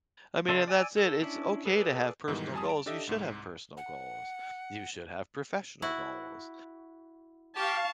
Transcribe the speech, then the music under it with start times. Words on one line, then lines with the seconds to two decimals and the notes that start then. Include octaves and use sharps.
I mean, and that's it, it's okay to have personal goals, you should have personal goals. You should have professional goals.
0.48 C#3 A4 D5 E5 C6
0.68 D5 G#5 E6
0.97 A4
1.22 C#4 D4 E4
1.65 G#4 A4 B4 D5
2.28 G#2 B2 D#3 E3 G3
2.54 F2 G3 G#5 A5 D#6
2.65 A5 D7
2.86 D4 G4 A4 D#5 E5
3.07 C2 G#2
3.77 F#5
5.82 E4 F#4
7.56 G4 F5 A5 C#6